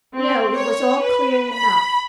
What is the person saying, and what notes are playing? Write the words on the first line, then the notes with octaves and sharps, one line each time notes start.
No, it was all clear enough.
C4
C#5
B4
B5